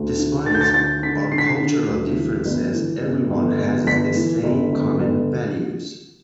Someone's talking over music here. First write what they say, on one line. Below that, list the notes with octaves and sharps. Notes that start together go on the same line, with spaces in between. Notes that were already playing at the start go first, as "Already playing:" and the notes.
Despite our cultural differences everyone has the same common values.
Already playing: D2
D3
D2 A6
G6
A6
D3 A6
D3 B6
D3 C7
B6
C7
D3
D2
E3
G1
E3
G1
G1
G1
G1 B6
E3
G1
G1
G1